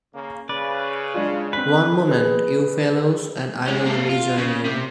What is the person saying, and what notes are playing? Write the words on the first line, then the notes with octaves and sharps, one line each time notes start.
One moment, you fellows, and I’ll rejoin you.
C#3 A#3
C#3 B4 D5
G#3 D4 F4
C4 B4 B6
G#4 B4 D#5
G#3 C#4
A#3 A4
F4
C#3
C3